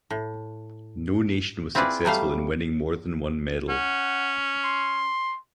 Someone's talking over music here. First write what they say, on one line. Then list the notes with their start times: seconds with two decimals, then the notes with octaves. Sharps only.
No nation was successful in winning more than one medal.
0.10 A2
1.75 C4 E4 F4 G#4 B4 D5
2.05 F#3 G3 A3 F5
3.69 C#4 F#5
4.64 C6